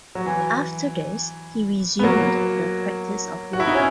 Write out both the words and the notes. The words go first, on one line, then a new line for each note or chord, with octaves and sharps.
After this, he resumed the practice of law.
F#3
E3
B3
F#3 A#3
F#4
E4
D#4
C#4